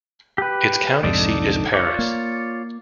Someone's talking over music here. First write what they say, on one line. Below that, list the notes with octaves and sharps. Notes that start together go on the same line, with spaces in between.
Its county seat is Paris.
G4 B4
C2 F2 G#2 D3 D#4 D5
F4 C#5 D5
A#3